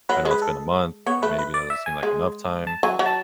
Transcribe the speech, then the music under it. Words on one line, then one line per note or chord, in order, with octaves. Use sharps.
I know it's been a month. Maybe it doesn't seem like enough time.
F#3 B4
G#3
B4
A4
B3 C#5
A3 B4
B4
D5
E5
G#5
G#3
A5
F#3 G#5
F#3
A5